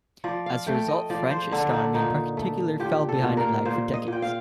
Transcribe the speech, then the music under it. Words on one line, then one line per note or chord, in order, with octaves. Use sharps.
As a result, French astronomy in particular fell behind and lagged for decades.
F3 D5
F5
A3 G5
D#5
F3 D5
C5
D3 D4
D4 D#4
A#2 D#4
A3
A#2 G4
A4
A#2
A#4
A#2 C5
D#5
A#2 G5
F5